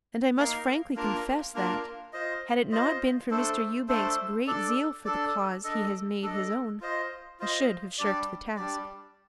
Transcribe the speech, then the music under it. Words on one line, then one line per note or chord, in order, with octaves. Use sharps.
And I must frankly confess that, had it not been for Mr. Ewbank's great zeal for the cause he has made his own, I should have shirked the task.
A#3 D#4 A#4 F5
A#3 D4 F4 A#4
A#3 D4 F4 A#4
F4 C5 D#5
F4 C5 D#5
A3 D4 A4 C5
A3 D4 A4 C5
D4 A4 D5
D4 A4 D5
D4 A4 D#5
D4 A4 D#5
F4 C5 D#5
F4 C5 D#5
G3 D4 G4 D5
G3 D4 G4 D5